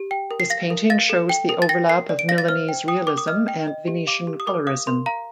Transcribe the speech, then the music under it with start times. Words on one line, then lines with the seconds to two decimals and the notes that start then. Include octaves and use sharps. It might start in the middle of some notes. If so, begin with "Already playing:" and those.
This painting shows the overlap of Milanese realism and Venetian colorism.
Already playing: G4
0.11 G5
0.31 A#4
0.40 C7
0.50 F5 A#6
0.70 A#4
0.90 F5 A6
1.10 A4
1.29 G5
1.49 A#4
1.62 A6
1.69 G5 A#6
1.89 A#4 C7
2.09 D5
2.19 D7
2.29 F5 A#6
2.38 A6
2.48 C5 F6
2.69 G5
2.88 G5 D#6
3.07 A#4 D6
3.17 D#6
3.28 D#5 F6
3.48 G5
3.67 D#5
3.87 G4
4.07 F5 D6
4.27 G4
4.40 D#6
4.47 A#4 D6
4.67 F5 D#6
4.87 A#4 C6
5.06 F5 A#5